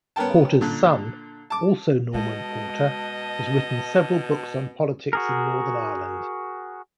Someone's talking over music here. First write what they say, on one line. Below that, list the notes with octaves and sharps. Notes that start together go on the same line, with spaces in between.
Porter's son, also Norman Porter, has written several books on politics in Northern Ireland.
B3 C#4 A#4 G5 A5
A#2 D3
A5 D6
B2 G#3 D#5 A5
F#4 G#4 A#4